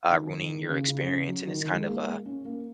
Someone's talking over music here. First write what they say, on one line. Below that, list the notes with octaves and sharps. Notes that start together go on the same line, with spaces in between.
uh ruining your experience, and it's kind of a
D#3
D#3
D#3
D#3
C#3
C#3
C#3
F#3
D#3
D#3
G#3
A#3
G#3
A#3
C#4
A#3